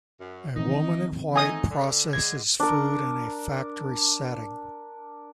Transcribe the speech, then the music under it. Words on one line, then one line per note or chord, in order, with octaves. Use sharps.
A woman in white processes food in a factory setting.
F#2
D#3 E3 C4 D#4
G#2 A3 D#4 G#5 D#6
D3
D3 G#3 G#6
D4 A#4